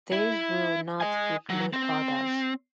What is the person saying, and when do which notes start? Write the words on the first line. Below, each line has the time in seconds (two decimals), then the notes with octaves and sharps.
This will not preclude others.
0.12 E4
1.01 D#5 G#5
1.49 F#3
1.73 C4